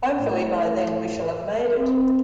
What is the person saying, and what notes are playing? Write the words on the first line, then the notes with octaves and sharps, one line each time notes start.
Hopefully, by then we shall have made it.
A2
C4